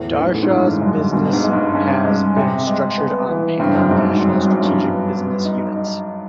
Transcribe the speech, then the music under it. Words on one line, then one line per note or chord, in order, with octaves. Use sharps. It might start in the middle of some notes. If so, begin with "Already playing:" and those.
Darashaw's business has been structured on Pan National Strategic Business units.
Already playing: E2 A2
G#2 C#4
A2
G#2
G2 G#3
F#2 G#3
G2 B2
G#2
G#3
G2
G2 C#4
G#3
C3
G#3
B3
E3
G2 C4
F#2
G#2 G#3
F#2 C4
F#2
E3
G2
B3
B3
D#4
D#4